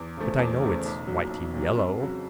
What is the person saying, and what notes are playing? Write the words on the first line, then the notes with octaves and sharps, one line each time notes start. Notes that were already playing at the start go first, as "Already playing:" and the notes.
But I know it's whitey yellow.
Already playing: E2
C#3 F3 A3
E2
C#3 F3 A3
B1
A#2 F#3
B1
A#2 F#3
F2
C#3 F#3